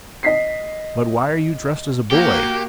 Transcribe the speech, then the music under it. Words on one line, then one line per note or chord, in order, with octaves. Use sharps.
"But why are you dressed as a boy?"
D#5 B6 C7
A#3 F#4 G4